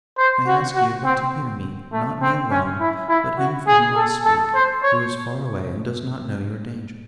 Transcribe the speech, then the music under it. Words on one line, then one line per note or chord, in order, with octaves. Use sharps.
'I ask you but to hear me: not me alone, but him for whom I speak, who is far away and does not know your danger.
C5
F#4
F#4
C4
A3
C4
C#4
E4
E4
F#4
G#4
A4
A4
C5
C#5